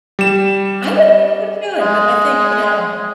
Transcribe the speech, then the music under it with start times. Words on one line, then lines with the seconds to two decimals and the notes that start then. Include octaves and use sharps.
I would think so too, and but I think, you know
0.19 G3 E7
1.81 G#3